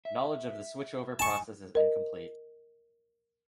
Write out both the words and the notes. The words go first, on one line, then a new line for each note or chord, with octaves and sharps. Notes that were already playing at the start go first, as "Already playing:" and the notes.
Knowledge of the "switchover" process is incomplete.
E5
D#4 G#5 A5 C#6
A#4 D#5